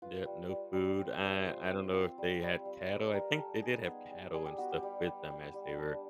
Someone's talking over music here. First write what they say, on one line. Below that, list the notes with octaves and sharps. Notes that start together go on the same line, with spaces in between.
Yep, no food, I I don't know if they had cattle. I think they did have cattle and stuff with them as they were
F4 B4
G3
G3
G3
C4
G3
F4 C5
C4
F4
G3
G3
G3
G3 B4
G3 A#4
A#4
G3 A4
D#4 G#4
B3
G3
G3 G#4
G4
B3 F#4
G4
G3
G3
G3
G3
D4